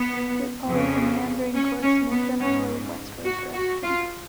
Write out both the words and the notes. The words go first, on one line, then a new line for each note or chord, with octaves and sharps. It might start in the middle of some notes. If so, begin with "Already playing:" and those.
It follows a meandering course in a generally westward direction.
Already playing: B3
F2 C#3
C#4
C#4
B3
G#2 C#4
F#4
F#4
F4